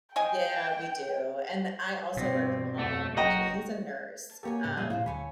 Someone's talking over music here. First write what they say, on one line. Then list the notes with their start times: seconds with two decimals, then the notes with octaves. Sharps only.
Yeah, we do, and I also work from home, and he's a nurse, um,
0.16 G#3 D#5 G5 G#5
2.17 G2 B2 C4
2.79 F2 A3
3.17 F#1 F#4 D#5 G5 A#5
4.29 A5
4.43 A#3 F#4 G4 A4 C#5 G#5
4.64 G#2 C#3 G4
4.77 F2 A#2 G3 D#5 E5 C6
4.90 A2 F4 C5 A#5
5.06 D2 A4 C#5 G#5 B5